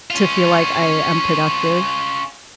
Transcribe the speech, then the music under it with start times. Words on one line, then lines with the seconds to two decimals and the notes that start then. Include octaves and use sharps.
to feel like I am productive,
0.10 C#4 F4